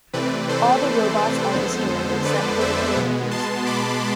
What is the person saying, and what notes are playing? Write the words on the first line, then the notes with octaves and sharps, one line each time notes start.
All the robots are destroyed except for the Toymaker's.
C3 E3 A3 C4 B4 D5
A4 C5
F2 D3 G#3 B3
B4 D5
C5 E5
B2 G#3 B3
A5 C6
B5 D6